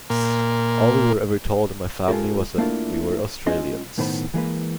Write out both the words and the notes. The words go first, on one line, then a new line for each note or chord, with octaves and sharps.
All we were ever told in my family was that we were Australians.
A#2
G#3 C#4 F4 G4 A4 A#4
A3 A#3 D4 E4 F4 A#4
G#3 C#4 F4 D#5 C6
B1 A2 D#3 B3 C5 B5
E3 G#3 A#3 B4